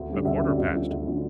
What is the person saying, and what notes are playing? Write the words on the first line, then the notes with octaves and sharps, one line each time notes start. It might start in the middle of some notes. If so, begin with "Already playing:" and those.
A quarter past.
Already playing: D2
D3 G3 C#4
D2 E5
D3 G3 C#4
D2
D3 F3 C#4
D2
D3 F3 C#4